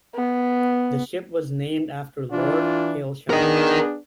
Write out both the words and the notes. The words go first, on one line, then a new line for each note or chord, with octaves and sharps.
The ship was named after Lord Hailsham.
B3
E3 D4 F4
B3 D4 G#4 A#4 D#5